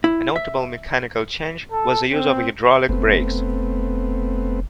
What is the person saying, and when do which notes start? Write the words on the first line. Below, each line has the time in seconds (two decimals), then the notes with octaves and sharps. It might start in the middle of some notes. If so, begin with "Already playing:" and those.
A notable mechanical change was the use of hydraulic brakes.
0.04 E4
0.36 E5
1.71 A4
2.11 C4
2.89 F1 A3 B3 C4